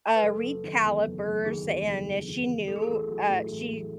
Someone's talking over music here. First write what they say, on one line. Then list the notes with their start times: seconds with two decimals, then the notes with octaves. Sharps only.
uh, read calipers, and i she knew uh, she
0.16 B4
0.23 F#1 A4
0.43 F#1
0.64 D#3
0.84 E2
1.05 F#1
1.25 F#1
1.45 D#3 G#4
1.66 E2
1.87 F#1
2.07 F#1
2.28 D#3
2.47 E2
2.68 A1 A4
2.76 G#4
2.82 A4
2.89 A1
3.09 F#3
3.29 A2
3.50 A1
3.71 A1